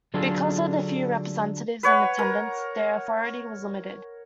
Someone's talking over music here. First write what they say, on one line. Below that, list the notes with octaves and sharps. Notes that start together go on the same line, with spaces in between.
Because of the few representatives in attendance, their authority was limited.
D3 F#3 D4 F4 G#4 A4
B4 C#5 F#5
A#4